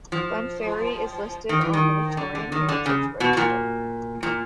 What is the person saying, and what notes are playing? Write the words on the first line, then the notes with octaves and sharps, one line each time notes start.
Glenferrie is listed on the Victorian Heritage Register.
F3
D#3
E3
D#3
D3
D3
D#3
D3
C#3
B2
B2
A#2
A#2